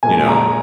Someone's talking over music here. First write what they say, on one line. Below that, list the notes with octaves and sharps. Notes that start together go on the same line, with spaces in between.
you know,
A#2 F3 G#3 G#5
A#5